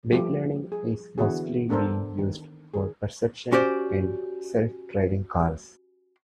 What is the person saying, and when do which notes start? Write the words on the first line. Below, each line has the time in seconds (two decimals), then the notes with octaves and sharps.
Deep Learning is mostly being used for perception in self driving cars.
0.13 F3 G3 A3 F4 G4
0.72 G#4
1.18 D3 E3 B3 E4 F#4 G#4
1.69 B3 D4 A4 A#4 C5
2.18 D#3
2.74 D#3 G#4
3.52 C#4 F#4 G4 C5 D5